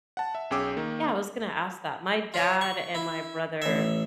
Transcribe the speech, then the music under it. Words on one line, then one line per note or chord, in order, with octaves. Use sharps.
Yeah, I was gonna ask that, my dad and my brother
F#5 A5
E5
B1 C#4 G#4 G5 D6 E6
D#3 A#3
F4 C#5
C#6
E4
A1 E5